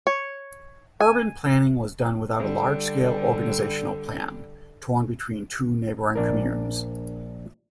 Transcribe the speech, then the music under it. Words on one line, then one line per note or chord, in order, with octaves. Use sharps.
Urban planning was done without a large-scale organizational plan, torn between two neighbouring communes.
C#5
G#5
D3 G3
A#1 D4 A#4